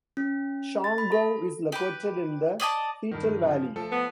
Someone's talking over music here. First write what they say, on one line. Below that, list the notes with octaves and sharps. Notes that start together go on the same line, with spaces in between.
Schongau is located in the Seetal valley.
C#4
A6
B5
A4
G4 B4
D5 D#5 G#5 A5
G2 D#3
C#3 F3
F3 A3 A4
B3